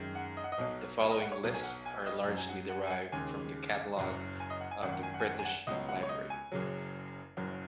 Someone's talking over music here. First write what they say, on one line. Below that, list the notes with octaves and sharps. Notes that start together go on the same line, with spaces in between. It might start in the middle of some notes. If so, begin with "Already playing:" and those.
The following lists are largely derived from the catalogue of the British Library.
Already playing: F#2 D#3 G#3
F#5
D#5
F#5
D#5
B1 B2 F#3
C#5
D#5
F#5
C#5
B1 B2 F#3
G#5
F#5
G#5
D#5
F#2 F#3
G#5
F#5
F#5
G#5
F#5
D#2 C#3 G#3 G#5
F#1 F#2 F#3
G#5
D#5
F#5
G#5
G#1 F#2 D#3 F#5
F#5
G#5
F#5
G#5
F#5
G#5
F#5
C#2 B2 F#3 D#5
F#5
C#5
D#5
G#5
F#1 F#2 C#3 F#3
F#1 F#2 F#3